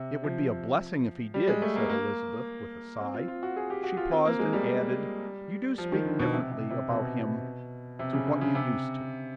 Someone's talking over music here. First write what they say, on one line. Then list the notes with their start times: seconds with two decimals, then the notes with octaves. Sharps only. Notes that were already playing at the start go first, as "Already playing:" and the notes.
"It would be a blessing if he did," said Elizabeth with a sigh. She paused and added: "You do speak differently about him to what you used to."
Already playing: C3
0.24 F3
1.34 G3
1.48 G#3
1.62 A3
1.76 A#3
1.89 A#3
3.01 C4
3.14 F4
3.28 F4
3.43 F#4
3.56 G#4
3.70 G4
3.83 F#4
3.97 F4
4.11 C4
4.25 A#3
4.39 G#3
4.53 G3
5.78 F3
5.92 D#3
6.06 D3
6.19 B2
6.33 C3
6.51 C3
6.70 C3
6.89 B2
7.99 C3
8.13 C#3
8.27 D3
8.41 C#3
8.55 C3